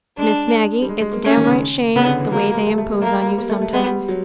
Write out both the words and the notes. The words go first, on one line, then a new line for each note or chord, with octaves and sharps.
"Miss Maggie, it's a downright shame--the way they impose on you sometimes."
G#3 D4
G3
G#3
G#3
A#3
A3 C#4
D#3
C#3
C#3 B3
D3
E3
F#3 A#3
G3
G#3
A3
A3
A#3
A3 A#3
G#3
G3
A#3
A3
A3
G#3 B3
G3
F#3